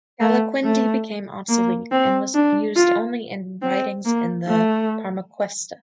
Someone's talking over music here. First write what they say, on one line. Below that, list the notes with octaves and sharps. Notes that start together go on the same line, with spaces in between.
"Calaquendi" became obsolete, and was used only in writings in the Parmaquesta.
A3
A3
A#3
C4
D4
F4
C4
A#3
A3